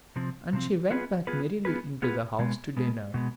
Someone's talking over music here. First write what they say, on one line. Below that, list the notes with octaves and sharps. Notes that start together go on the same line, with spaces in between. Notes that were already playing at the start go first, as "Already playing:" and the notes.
And she went back merrily into the house to dinner.
C3 F3 C4
C3 F3 C4
B3 F4 G#4 B4
B3 F4 G#4 B4
B3 F4 G#4 B4
B3 F4 G#4 B4
B2 G#3 B3
B2 G#3 B3
B2 G#3 B3